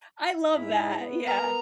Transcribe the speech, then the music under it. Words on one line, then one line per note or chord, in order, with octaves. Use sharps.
I love that. Yeah.
G#2 E4
B3
A#4 A#5